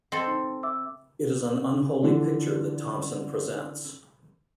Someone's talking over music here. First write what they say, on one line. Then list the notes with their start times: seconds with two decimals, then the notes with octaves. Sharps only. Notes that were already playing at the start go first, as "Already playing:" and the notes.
It is an unholy picture that Thompson presents.
0.12 C4 A4 D#5
0.27 D#4
0.63 E5 D6 E6
2.03 D3 E3 F3 D4 A4